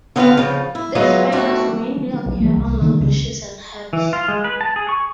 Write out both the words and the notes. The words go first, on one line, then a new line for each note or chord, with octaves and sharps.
These spiders mainly occur on low bushes and herbs.
D3 B3 C4 F4 B4 F5
C#3 F3
E4
F#3 G#3 B3 E4 F4
F2 B2 A3 D4 F#4
B1
E3 G#3 A#3
C2
D3 D#3 G#3 A#3
C#2 C#3 G#3 C#4
E3
F4
G#3
B4
A5
G#4
C#6